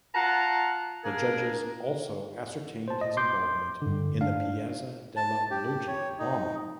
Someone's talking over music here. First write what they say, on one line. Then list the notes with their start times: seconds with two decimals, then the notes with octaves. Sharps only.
The judges also ascertained his involvement in the Piazza Della Loggia bombing.
0.15 F4 F#5 A5 A#5
1.04 A#3 D4 G#4 A#4
2.88 C5 A5
3.01 D#5
3.17 C6 D6 G6
3.82 G2 D3
4.21 D4 F5
5.16 A5
5.51 G4
5.87 C#5
6.19 D#4